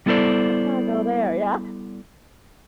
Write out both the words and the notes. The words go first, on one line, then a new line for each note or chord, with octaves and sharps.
Let's not go there, yeah.
G3 B3 E4 A4 C5 D5